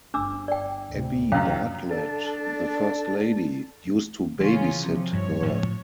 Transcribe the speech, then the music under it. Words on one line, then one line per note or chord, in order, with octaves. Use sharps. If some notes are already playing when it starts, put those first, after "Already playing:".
Abbey Bartlet, the First Lady, used to babysit her.
G1 D4 D6 E6
D5 G5
D2 A2 C3
C#2 F#2 B2 E3 C#5 F5 G5
D4 A4 A5
C#3 E3 C#4 F4
C3 F3
G2 F3 C#5
A2 F3